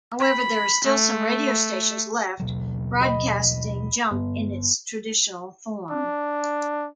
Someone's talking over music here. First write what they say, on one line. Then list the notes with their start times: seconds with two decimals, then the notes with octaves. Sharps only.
However, there are still some radio stations left, broadcasting Jump in its traditional form.
0.20 B5
0.85 A3
2.40 D#2 B2 F#3
3.01 D#5 B5
4.11 G1
5.91 D4